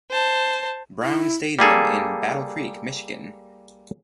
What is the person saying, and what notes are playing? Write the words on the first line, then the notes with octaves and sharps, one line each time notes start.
Brown Stadium in Battle Creek, Michigan.
C5 A5
E4
G3 A#3 G#4 A4